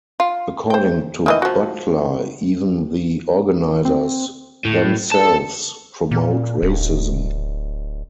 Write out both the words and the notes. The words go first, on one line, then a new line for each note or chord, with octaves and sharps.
According to Butler, even the organizers themselves promote racism.
F4
C5 G5
D#3 E3 D#5
F3 F#4
C4
A2
A4 A5
A#2
D1